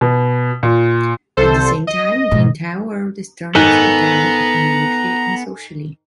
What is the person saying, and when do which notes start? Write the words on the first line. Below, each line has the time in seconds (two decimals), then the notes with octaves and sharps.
At the same time, the entire world is turned upside-down economically and socially.
0.01 B2
0.63 A#2
1.37 C2 A4 C5
1.87 D#5
2.32 G#2 B2
3.55 G#2 D#3 B3 A4 G#5 A#5 F#6